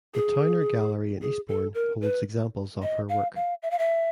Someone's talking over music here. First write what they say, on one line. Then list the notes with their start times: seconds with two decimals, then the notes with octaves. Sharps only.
The Towner Gallery in Eastbourne holds examples of her work.
0.14 G#4
1.22 G#4
1.48 A4
1.74 A#4
2.02 B4
2.82 D#5
3.09 F5
3.36 F5
3.63 E5
3.71 F5
3.79 E5